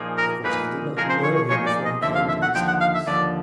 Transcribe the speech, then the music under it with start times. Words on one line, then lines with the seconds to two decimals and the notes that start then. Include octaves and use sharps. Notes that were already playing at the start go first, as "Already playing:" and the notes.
Of course I did not know him before he came to this house.
Already playing: A#2 F3 A#3 D#4 G#4
0.18 A#4
0.44 A#2 F3 A#3 D#4 G#4 B4
0.97 A#2 F3 A#3 D#4 G#4 A#4
1.09 C5
1.23 C#5
1.36 C#5
1.50 A#2 F3 A#3 D#4 G#4 C#5
1.67 D5
1.85 D#5
2.02 D#2 D3 F3 E5
2.15 F5
2.29 E5
2.42 F#5
2.55 D#2 D3 F3 G5
2.68 F#5
2.81 F5
2.95 E5
3.07 D#2 D3 F3 D5